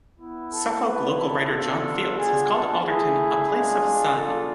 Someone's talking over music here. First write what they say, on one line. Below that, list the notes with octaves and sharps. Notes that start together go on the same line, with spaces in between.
Suffolk local writer Jon Fields has called Alderton "a place of sun".
B3 E4
A4
B3 E4 B4
A4
B3 D4 F4 A4
B3 D4 F4 G#4
A4
A3 E4 G#4
G#3 D4 F4
B3 D4 F4 A4